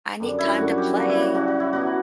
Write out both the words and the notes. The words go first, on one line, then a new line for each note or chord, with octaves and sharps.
I need time to play."
F#2 D3 G3
E4
F#2 D3 G3 F#4
G4
C#3 G3 D4 F#4
E4
F#4
C#3 G3 D4 F#4
F#4
E4
B2 F#3 B3 E4 F#4